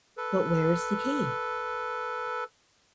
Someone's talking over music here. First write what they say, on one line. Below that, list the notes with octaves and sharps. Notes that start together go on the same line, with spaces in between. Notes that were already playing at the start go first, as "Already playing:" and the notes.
But where is the key?
A4 B4